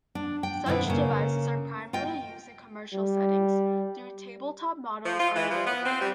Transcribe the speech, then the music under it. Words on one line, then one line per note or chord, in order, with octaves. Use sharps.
Such devices are primarily used in commercial settings, though tabletop models are available.
D4
G5
B2 D3 C4 E4
C#3 A#3
F4 D#5 G5
G3
F3
F4
E3
F3
B3
C4
G3